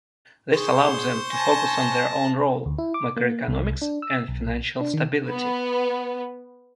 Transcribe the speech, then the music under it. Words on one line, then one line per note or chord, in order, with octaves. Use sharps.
This allowed them to focus on their own role: macroeconomic and financial stability.
G#4 C5 C6 C#6
G#5 A5 A#6
D2
E4
D6
A#3
C2
D4
E6
B1
D4
D#3
B3